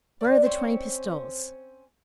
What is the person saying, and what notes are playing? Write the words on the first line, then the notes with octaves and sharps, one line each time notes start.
"Where are the twenty pistoles?"
D3 D5
C4 C#4 C5